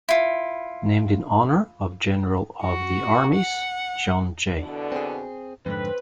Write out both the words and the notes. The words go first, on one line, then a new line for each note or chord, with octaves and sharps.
Named in honor of General of the Armies John J.
E4 F4
F#4
F#5
E2 B2 D3
C4 G#4
F2 G#2 D3 C4 B4